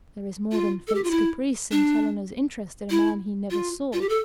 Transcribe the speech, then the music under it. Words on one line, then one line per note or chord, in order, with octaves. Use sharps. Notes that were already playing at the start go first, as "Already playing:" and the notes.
There is more than Fate's caprice in Challoner's interest in a man he never saw.
F4
A4
G4
F4
E4
D4
E4
F4
F4
G4
A4